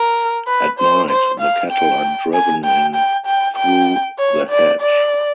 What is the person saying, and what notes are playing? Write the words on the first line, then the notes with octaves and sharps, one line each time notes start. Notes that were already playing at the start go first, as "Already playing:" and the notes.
At night the cattle are driven in through the hedge.
Already playing: A#4
B4
C5
C5
F5
G5
G#5
G5
G5
G5
G5
C#5
D5
D5